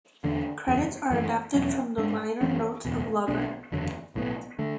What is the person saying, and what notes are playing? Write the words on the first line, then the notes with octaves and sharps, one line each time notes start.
Credits are adapted from the liner notes of "Lover".
E2 D3 A3 D4
F#1 E2 C#3
F#2 E3 A3
E2 B2 F#3 C#4
G#2 G#3 D4
F#2 E3 A3 C#4
F#1 E2 B2
B1 B2 A3 D4
F#1 E2 D3 F#3
B1 A2 E3 B3
D3 A3